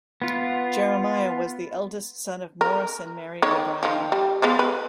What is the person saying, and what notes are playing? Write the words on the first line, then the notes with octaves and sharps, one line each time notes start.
Jeremiah was the eldest son of Morris and Mary O'Brien.
B3 F4
A#4
D#3 C#5
D#3 F3
G3
F3 G#3 B3
B4